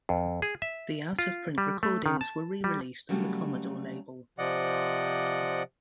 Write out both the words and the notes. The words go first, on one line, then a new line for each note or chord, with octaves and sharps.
The out-of-print recordings were re-released on the Commodore label.
F2
G#4
E5
F4
G3
A3
D#3
A5
G3
C#3 F#3 G3 A3 A#3
C3 F3 D5 D#5 F#5